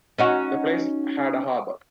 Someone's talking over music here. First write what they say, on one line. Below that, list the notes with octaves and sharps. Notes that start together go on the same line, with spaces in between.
The place had a harbour.
C#4 D#4 F#4